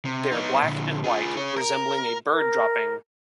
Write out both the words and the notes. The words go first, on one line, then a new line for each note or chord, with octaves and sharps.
They are black and white, resembling a bird dropping.
C3
B3 D#4
A#2 D3
F4 G#4
G#4 C#5
A#4
A#4